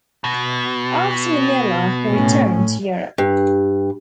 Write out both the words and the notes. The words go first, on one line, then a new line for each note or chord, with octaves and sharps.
After Manila he returned to Europe.
B2
A2 C#4
G2